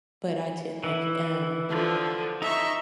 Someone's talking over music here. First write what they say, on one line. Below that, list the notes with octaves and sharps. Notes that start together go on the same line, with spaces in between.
But I tend like um,
E3 E4
D3 F3
D#4 E5 C#6